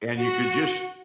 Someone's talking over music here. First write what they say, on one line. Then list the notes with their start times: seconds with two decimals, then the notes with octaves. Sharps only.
and you could just
0.18 F#4